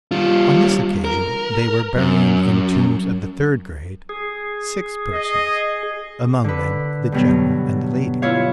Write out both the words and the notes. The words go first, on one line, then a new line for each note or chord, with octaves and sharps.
On this occasion they were burying in tombs of the third grade six persons, among them the general and the lady.
G3 F4
A#4
F#2
G#4
D#5
D3 B4
G2 B2 F#3
E4 F4 C#5 F5